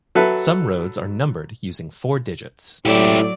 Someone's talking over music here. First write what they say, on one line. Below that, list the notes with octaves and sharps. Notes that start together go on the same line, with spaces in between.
Some roads are numbered using four digits.
F#3 A4 B4 E5
A2 F#3 E4 G4 D5